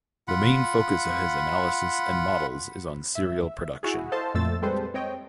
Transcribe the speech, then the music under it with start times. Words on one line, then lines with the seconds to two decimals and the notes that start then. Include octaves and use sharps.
The main focus of his analysis and models is on cereal production.
0.28 F4 F#5 B5
3.15 E5
3.83 E4 F#4 G#4
4.12 A4 C5 D#5 F5 A5 C6
4.34 F2 A#2 A3 C5 E6 A6
4.62 G3 G#3 C4 A4 B4 C5
4.94 C4 C#5 D#5 G5